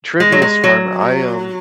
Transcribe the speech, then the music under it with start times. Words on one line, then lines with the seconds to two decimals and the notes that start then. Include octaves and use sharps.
Trivia's fun. I, um
0.20 G#3
0.32 F#3
0.42 G#3
0.64 F#3